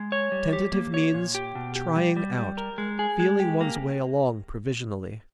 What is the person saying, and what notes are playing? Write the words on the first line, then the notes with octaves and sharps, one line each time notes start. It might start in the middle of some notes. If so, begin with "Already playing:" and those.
Tentative means trying out, feeling one's way along provisionally.
Already playing: G#3
C#5
G3
G4
A#3
C#5
A#2
G4
B2
G4
G3
G3
G3
A#4
G#3
G#4
G#3
G4
A#3